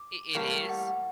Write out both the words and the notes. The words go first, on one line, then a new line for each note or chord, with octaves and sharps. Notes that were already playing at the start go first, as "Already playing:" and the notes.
I it is?
Already playing: D6
A2 G3 A#3
F#5